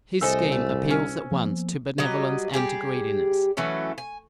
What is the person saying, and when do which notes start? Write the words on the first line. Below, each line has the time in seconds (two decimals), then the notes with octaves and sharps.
His scheme appeals at once to benevolence and to greediness.
0.21 C2 A3 A4 C5 D#5 G#5 E6
0.52 A3
0.91 C#4
1.31 F3 A#3 B3
1.98 F#3 G3 D#5
2.54 G3 G4 G#4
3.57 E3 F#3 A3 C#4
3.98 G#5